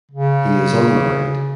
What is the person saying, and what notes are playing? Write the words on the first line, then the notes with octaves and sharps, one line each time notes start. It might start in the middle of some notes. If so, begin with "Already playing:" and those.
He is unmarried.
C#3